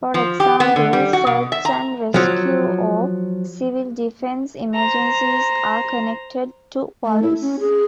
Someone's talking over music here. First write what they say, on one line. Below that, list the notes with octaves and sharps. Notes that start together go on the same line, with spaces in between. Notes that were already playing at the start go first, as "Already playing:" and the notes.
For example, search and rescue or civil defence emergencies are connected to police.
F3
G4
B3
D3
G3
F#4
B2
E5
A#5
F3 F#3
C5 A#5
A3
E4
C#4
G#4